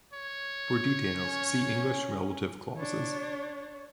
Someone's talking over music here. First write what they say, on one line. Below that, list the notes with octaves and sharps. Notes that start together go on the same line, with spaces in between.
For details see English relative clauses.
C#5
C#4
D4 C#5